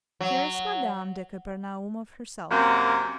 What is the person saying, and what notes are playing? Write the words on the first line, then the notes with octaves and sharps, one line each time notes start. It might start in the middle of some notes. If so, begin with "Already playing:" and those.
Here is Madame de Kapernaumov herself.
F#3
F#2 C3 A#3